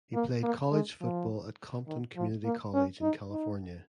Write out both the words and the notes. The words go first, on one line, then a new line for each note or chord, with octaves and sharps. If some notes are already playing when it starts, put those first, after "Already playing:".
He played college football at Compton Community College in California.
A#3
A#3
G#3
F3
D#3
F3
A#3
C#4
D#4
D#4